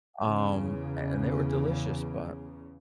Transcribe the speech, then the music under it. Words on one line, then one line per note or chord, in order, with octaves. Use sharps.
um a and they were delicious, but,
E2 C#3